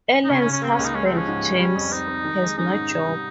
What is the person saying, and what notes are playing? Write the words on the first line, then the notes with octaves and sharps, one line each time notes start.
Ellen's husband, James, has no job.
D#4
C#3 C#4
C#4
C#3
C#4
A#3 C4
C#4
C#2
D#4
G#3 C#4
C4
F3 C#4
G#2
G#3
G3 C#4
F2
C4 D#4
C4
D#3
G#3
C#4 D#4
G#2
C3
G3